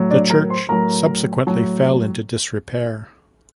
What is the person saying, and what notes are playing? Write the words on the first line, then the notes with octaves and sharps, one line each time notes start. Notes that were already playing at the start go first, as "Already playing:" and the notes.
The church subsequently fell into disrepair.
Already playing: A2 F#3
D4 D5
A#4 A#5
C5 C6
A2 F#3 A#4 A#5
A2 F#3